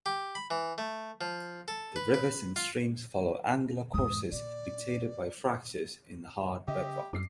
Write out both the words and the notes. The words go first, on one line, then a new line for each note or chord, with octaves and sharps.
The rivers and streams follow angular courses dictated by fractures in the hard bedrock.
G4
B5
E3
A3
F3
A4
B4
B4
F4
E2 G#2 D#6
A#2 D5
C#3 G4 D#5 E5
F#2 F#3 G3 C4 D6 C7